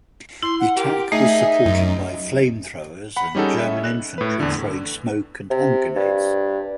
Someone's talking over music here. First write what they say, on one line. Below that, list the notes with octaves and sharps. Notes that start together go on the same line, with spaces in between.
The attack was supported by flame-throwers and German infantry throwing smoke- and hand-grenades.
E4 C6
F#5
G4 A#4
A3 D#4 G#4 E5
F#2
F#5 B5
G3 C#4 D#4 G#4 A4
C#4 E5
F#6
A2 B4
E2 D3
C3
G2